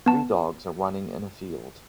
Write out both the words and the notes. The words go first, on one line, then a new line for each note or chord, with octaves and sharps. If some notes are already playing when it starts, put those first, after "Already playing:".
Three dogs are running in a field.
B3 A5